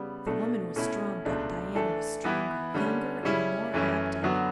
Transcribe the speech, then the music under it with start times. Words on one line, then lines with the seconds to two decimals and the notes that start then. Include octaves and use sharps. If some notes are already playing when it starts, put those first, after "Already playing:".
The woman was strong, but Diana was stronger, younger and more active.
Already playing: C#3 G3 B3
0.26 B2 A3 D4 A4
0.76 B2 A3 C#4 E4
1.25 C#2 B2 A3 D4
1.75 E3 A3 D4 A4
2.24 E3 B3 E4
2.74 D3 G3 C#4
3.23 C#3 G3 C#4 E4
3.74 F#2 E3 A3 C#4 E4
4.22 D3 F#3 B3 F#4